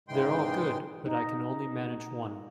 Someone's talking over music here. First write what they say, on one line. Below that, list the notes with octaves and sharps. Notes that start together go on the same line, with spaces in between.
They're all good but I can only manage one.
G#2 C#3 E3 G#3 G5 C6
D#4